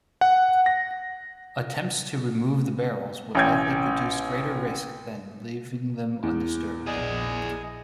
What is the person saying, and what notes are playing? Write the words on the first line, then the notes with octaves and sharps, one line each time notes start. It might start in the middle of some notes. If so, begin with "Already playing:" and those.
Attempts to remove the barrels would likely produce greater risk than leaving them undisturbed.
F#5
A#6
A1 C#4 G5 G6 G#6
E2
A#1 A#2 G#4 D5 D#5 G#5